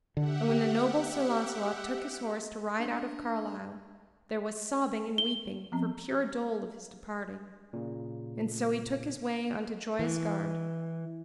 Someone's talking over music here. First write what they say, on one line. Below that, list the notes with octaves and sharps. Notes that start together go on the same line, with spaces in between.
And when the noble Sir Launcelot took his horse to ride out of Carlisle, there was sobbing and weeping for pure dole of his departing; and so he took his way unto Joyous Gard.
D3 G4 E5 F#5
D4
G7
F3 B3 C4
A#2 C#3
E3